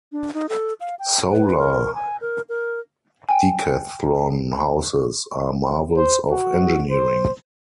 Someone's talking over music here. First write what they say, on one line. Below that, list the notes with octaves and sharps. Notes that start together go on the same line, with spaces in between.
Solar Decathlon houses are marvels of engineering.
D4
D#4
A4
F5
G5
B4
A#4
G#5
A#4
A#4
G5 G#5
C5
F#4
C5